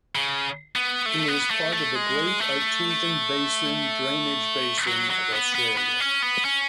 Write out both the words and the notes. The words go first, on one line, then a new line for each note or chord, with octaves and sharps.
It is part of the Great Artesian Basin drainage basin of Australia.
C#3
B3
A3
B3
A3
A3
G#3
A3
F#3
F#3
B3
B3
B3
C#4
B3
C#4